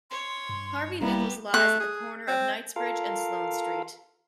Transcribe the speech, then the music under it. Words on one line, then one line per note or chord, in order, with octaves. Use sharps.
Harvey Nichols lies at the corner of Knightsbridge and Sloane Street.
C#5 C6
G2
E1 G3 A#3 B3 E4 G4 A#5
A3 F#6
G#4
C4
F4 A4 A#4 F5